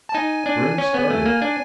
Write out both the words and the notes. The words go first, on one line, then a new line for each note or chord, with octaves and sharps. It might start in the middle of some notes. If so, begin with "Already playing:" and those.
Grim started.
A5
D#4 G#5
D4
C#4
B3
A3
A#3
D4